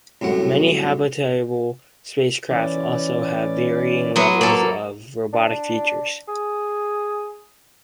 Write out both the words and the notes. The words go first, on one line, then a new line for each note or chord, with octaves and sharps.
Many habitable spacecraft also have varying levels of robotic features.
C2 F#2 A2 F#5
E3 C#4 D5
A2 F#3 B3 C6 C#6
A#3 A4
D4
G#4